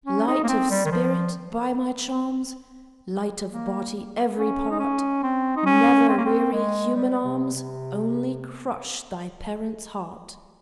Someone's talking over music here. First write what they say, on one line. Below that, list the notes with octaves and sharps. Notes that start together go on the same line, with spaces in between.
"Light of spirit, by my charms, Light of body, every part, Never weary human arms-- Only crush thy parents' heart!"
C#4
D#4
A#3
C4
G3
D#3
F3
A#3
C#4
D#4
C#4
C4
D#4
C#4
C4
A#3
C4
G#3
G3
C3
C3